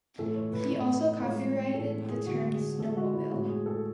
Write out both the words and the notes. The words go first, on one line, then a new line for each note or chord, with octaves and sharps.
He also copyrighted the term "snowmobile".
A2 E3 A3 A4
C#5
B4
A2 E3 A3 C#5
A2 E3 G#3 C#5
A2 E3 G#3 A4
G#4
D3 G#3 F#4
G#4
D3 G#3 A4
F#4
E4
A2 G#3 F#4
G#4
A4